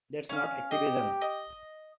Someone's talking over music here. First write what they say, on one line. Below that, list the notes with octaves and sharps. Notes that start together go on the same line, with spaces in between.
That's not activism.
C#4 F5
G4 D#5
D#5